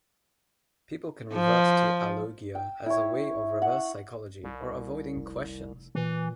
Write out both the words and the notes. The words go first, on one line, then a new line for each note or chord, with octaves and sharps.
People can revert to alogia as a way of reverse psychology, or avoiding questions.
F3
G5
E4 C#5
F#5
C2
F1
A#2 E3